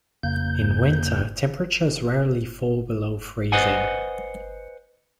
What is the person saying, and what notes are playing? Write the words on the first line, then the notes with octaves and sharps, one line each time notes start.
In winter, temperatures rarely fall below freezing.
F2 C#3 A#3 G6
B4 C5 D#5 F#5 G#5